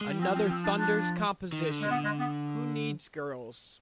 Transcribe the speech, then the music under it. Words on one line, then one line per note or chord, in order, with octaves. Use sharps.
Another Thunders composition, Who Needs Girls?
G#3
G3
F3 C4
C4
C4
D4
D4
D#3
D3
G#3
B3
G#3
B3